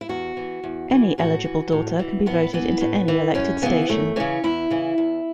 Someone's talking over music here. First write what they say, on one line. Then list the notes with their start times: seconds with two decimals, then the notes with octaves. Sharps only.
Any eligible daughter can be voted into any elected station.
0.01 E4
0.09 E2 F#4
0.37 E3
0.64 E2
0.91 E3
1.18 A2 F#4
1.45 E3
1.72 A2
1.99 E3
2.26 A2 B3
2.53 E3 B3
2.81 A2
3.08 E3
3.35 F#2 C#4
3.62 C#3 E3 B3
3.89 F#2 A3
4.16 C#3 E3 C#4
4.44 E2 E4
4.70 C#3 E3
4.98 E2